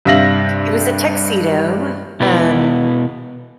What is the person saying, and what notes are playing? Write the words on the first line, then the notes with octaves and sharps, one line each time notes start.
It was a tuxedo, um
G2 C3 E5 F5 A#6 F#7
B2 B3 E4 B4